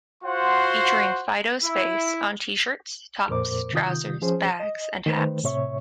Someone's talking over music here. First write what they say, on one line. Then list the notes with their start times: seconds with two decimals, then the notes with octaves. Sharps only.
Featuring Fido's face on t-shirts, tops, trousers, bags and hats.
0.24 F4 F#4 C5 F#5 C6
1.64 E4
3.29 F2 A#2 A#4 C5 D6
3.73 C3 D#3 F4 D#6 G6
4.22 F3 C#4 G#4 C5
4.60 D#5
5.06 D#3 A3 B4 C5
5.44 A2 C3 C#5 E5 C#6